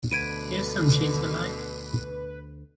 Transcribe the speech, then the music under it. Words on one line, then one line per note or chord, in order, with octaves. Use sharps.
Here's some cheese you like.
D2 B2 D3 B4 G#6 D7 D#7